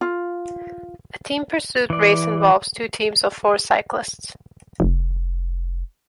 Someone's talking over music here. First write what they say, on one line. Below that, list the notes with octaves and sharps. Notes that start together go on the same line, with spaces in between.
A team pursuit race involves two teams of four cyclists.
F4
E3 D5
F1